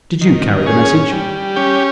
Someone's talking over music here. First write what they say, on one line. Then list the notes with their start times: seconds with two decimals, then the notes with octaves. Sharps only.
"Did you carry the message?"
0.21 D#3
0.66 C#4 G#4
1.12 G3
1.56 C#4 G4